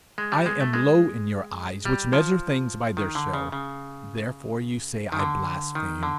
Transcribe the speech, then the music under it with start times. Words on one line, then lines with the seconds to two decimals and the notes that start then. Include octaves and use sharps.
I am low in your eyes which measure things by their show; therefore you say I blaspheme.
0.18 G#3
0.32 G3
0.46 G#3
0.60 A3
0.73 G#3
1.85 G3
2.13 F3
2.97 D#3
3.15 D3
3.34 C#3
3.52 C#3
5.12 D#3
5.19 D3
5.75 D#3
6.03 D3